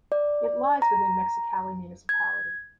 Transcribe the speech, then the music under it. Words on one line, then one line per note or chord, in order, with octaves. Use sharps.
It lies within Mexicali Municipality.
D5
A#5
G#6